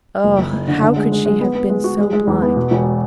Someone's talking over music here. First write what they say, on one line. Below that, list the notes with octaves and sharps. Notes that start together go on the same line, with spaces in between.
Oh! how could she have been so blind?
F#1
F#1
F#1
D3
D3
G#3
G#3
G#3
B3
B3
G#3
F#4
G#3
G#3
E2
B3
B2
E1